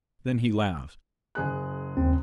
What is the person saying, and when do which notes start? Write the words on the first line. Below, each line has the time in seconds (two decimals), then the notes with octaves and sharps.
Then he laughed.
1.35 F#1 G#4 F#6
1.97 D#2 C4